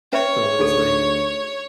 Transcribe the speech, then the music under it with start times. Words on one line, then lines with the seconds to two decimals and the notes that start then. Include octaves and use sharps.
So it's like
0.13 C#4 B4 C#5 E5
0.59 D2 D#4 G#4 A4